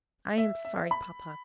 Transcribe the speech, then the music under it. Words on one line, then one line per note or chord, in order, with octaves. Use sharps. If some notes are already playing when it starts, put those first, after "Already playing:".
'I am sorry, papa.
E5
E5
B5